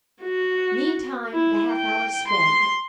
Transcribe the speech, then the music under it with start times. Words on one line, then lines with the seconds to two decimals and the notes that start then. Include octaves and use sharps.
Meantime, the half-hour sped.
0.22 F#4
1.32 E4
1.73 G5
2.29 C6